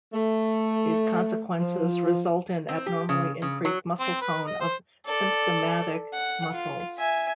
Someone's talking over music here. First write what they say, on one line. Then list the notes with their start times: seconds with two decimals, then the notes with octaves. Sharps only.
These consequences result in abnormally increased muscle tone of symptomatic muscles.
0.13 A3
1.59 F3
2.69 C4
2.86 G4
3.09 C#3
3.42 C#3
3.65 F#3
4.00 C4
4.21 B4
4.47 D#5
4.60 C5
5.06 A4 D5
6.13 F#5
6.52 F4
6.98 E5 G#5